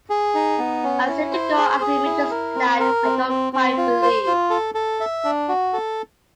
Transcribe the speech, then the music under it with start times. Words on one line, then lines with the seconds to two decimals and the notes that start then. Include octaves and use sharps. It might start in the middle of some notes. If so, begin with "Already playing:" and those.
I seem to go after images that I don't quite believe.
0.10 G#4
0.35 D#4
0.58 B3
0.84 C#4
1.08 E4
1.32 C5
1.57 G#4
1.81 G#4
2.05 E4
2.31 A#4
2.55 C4
2.80 A#4
3.03 C4
3.29 C4
3.53 C4
3.78 F4
4.02 C5
4.27 F4
4.50 A4
4.75 A4
5.00 E5
5.24 D4
5.49 F#4
5.73 A4